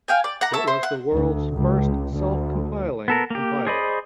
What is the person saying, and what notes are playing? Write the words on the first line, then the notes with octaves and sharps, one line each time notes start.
It was the world's first self-compiling compiler.
F5 G5 G#5
D5
F#5 A#5
C#5 E5 A5
C5
F#5
D2
C#2
D2
B3 A4 A#4
A#3 G4
G#4 C5 D5 D#5 B5